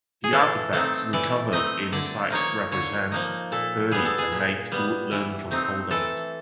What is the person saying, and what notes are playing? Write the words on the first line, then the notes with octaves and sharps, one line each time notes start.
The artifacts recovered in the site represent Early and Late Woodland components.
G#4
E3 A4
A3 C4 D#4 A4
E3 D5
A3 C4 D#4 D#5
D3 D5
F3 A#3 D#4 C#5
D3 C#5
F3 A#3 D#4
A#2 A4
G3 B3 G#4
A4
G#4
A#2
G3 B3
E3
A3 C4 D#4
E3 A4